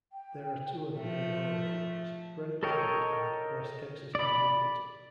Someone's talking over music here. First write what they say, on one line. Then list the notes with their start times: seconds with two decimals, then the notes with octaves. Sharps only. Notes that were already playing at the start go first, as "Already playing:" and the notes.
There are two other main oil markers: Brent Crude and West Texas Intermediate.
0.12 G5
0.96 F3 A3
2.63 A4 A#4 C#5 D#5 G5
4.15 D5 B5